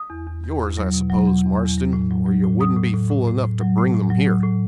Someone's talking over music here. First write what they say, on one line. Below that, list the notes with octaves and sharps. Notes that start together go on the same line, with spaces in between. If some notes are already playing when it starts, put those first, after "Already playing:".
Yours, I suppose, Marston, or you wouldn't be fool enough to bring them here.
Already playing: D#6
E2
E2
E2
E2
F#3
B2
F#3
E2
E2
E2
F#3
A2
F#3
F#3
A2
F#3 D#6
A2
A2
A2
A2
A2
F#3
A2
A2
F#3
A2
A2